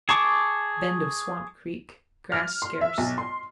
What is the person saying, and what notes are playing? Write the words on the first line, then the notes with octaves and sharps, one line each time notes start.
Bend of Swamp Creek.--Grass scarce.
G#4 A5 C#6 D6
F6
C6
E5
B1
C6